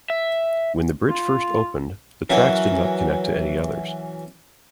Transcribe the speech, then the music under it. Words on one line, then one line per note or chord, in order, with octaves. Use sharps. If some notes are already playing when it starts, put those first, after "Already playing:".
When the bridge first opened, the tracks did not connect to any others.
E5
F4
E3 F#3 C#4 A#4